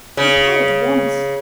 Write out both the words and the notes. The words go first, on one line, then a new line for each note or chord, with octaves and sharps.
Reply at once.
C#3